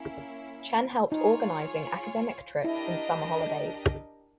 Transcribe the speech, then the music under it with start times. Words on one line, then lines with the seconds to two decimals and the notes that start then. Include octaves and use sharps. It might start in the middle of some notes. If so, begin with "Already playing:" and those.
Chen helped organising academic trips in summer holidays.
Already playing: A#3 C#4 E4
1.11 D#4 F4 G#4 C#5
2.64 D4 E4 G4 A#4 D#5